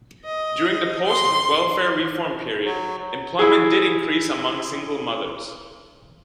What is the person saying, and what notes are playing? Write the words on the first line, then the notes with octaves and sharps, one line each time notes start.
During the post-welfare reform period, employment did increase among single mothers.
D#5
C6
F#3
E4 G#4